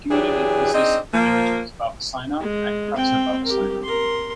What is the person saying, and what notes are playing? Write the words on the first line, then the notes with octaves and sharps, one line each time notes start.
The community consists of the villages Varvasaina and Kato Varvasaina.
E3 F#3 D4 G4 G#4
C4 D4 D#4 G#4 D#5
F3 A#3
G#3
C4 G5
G4 A#4
A#4 C6